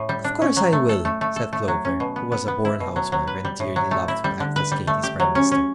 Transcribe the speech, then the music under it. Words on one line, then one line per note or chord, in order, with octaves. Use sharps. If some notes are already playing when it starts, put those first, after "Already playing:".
"Of course I will!" said Clover, who was a born housewife, and dearly loved to act as Katy's prime minister.
Already playing: A2
G3
D4
C#4
F#3
A3
A4
A3
A3
A4
A3
F#3
C#4
B2
B3
B3
B3
E4
B2
F#3
F#3
B4
G3
A2
F#3
A3
E4
G3
D3
B4
G3
A3
G4
F#3
C#4
C#4